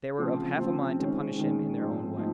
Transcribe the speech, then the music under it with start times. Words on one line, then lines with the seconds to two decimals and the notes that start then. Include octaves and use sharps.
They were of half a mind to punish him in their own way.
0.18 C#3 F3 C4 F4
0.58 C#3 F3 C4 F4
0.98 D#3 G#3 C#4
1.37 D#3 G#3 C#4
1.77 G#2 F3 C4 D#4
2.17 F3 C4 D#4